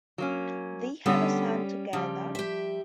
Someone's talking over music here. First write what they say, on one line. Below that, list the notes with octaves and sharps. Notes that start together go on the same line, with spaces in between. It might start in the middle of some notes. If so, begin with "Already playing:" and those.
They have a son together.
F#3 A#3 C#4
D3 G3 B3 C#4 G4 A4
C#3 F3 G3
G4 E5